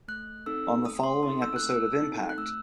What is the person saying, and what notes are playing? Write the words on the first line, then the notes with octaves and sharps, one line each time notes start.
On the following episode of Impact!
A3 F#6
C4 D#4 A4 E6
A3 D#6
C6
C4 D#4 A4 D#6
E6
F#6
A3
E6
C4 D#4 A4
F#6
A3 E6